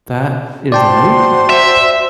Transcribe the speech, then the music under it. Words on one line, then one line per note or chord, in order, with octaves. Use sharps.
That is amazing.
F#4 C5 D5 G5 A5 C6
E5